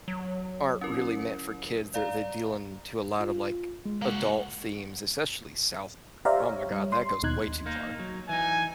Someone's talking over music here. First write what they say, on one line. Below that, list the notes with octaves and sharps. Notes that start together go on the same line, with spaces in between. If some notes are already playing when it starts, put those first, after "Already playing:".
aren't really meant for kids. They're they're dealing to a lot of, like, adult themes, especially South Park. Oh, my God, that goes way too far.
F#3
C#4 E4 A#4
D5 F5 A#5
F4
G#3
A#3 F#4
G4 C5 D5 E5 F5 A#5
C#5
G3
C6
D#2 B2 D#4 F#6 G#6
A#3 D#4
F#3
E3 D#4 G#5